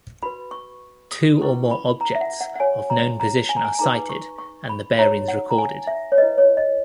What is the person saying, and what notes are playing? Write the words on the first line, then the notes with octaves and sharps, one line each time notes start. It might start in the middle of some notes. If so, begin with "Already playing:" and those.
Two or more objects of known position are sighted, and the bearings recorded.
F#4 B4 B5
C#6
D#6
C#4 E4 G#4 B4 C#6
B5
A#5
E5
F#5
F#5
F#5
F#4 C#5 G#5
A#5
A#5
G#5
A#5
G#5
G#5
D#4 G#4 B4 A#5
C#6
C#6
B5
D#4 F#4 C#5 A#5
F#5
A#5
G#5
E5
C#5
E4 B4 D#5
C#5
D#5